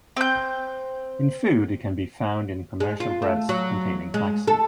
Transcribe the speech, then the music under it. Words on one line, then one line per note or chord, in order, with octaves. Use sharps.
In food, it can be found in commercial breads containing flaxseed.
C4 G6
G#3
F4
A3
F#3
G#3
A4